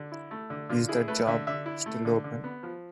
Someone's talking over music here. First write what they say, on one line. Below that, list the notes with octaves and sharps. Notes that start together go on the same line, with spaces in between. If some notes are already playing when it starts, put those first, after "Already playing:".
Is that job still open?
Already playing: D3
E4
A3
D3
D3 F4
E4 G#4
A3 B4
D3 E5
D3 E5
E4
A3
D3
D3
B3
F3